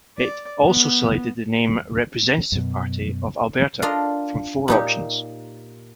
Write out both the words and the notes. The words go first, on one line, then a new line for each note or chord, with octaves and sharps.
It also selected the name Representative Party of Alberta from four options.
D5
B3
F#2 B2
D4 F4 A#4 D#5
A#2 D#4 G4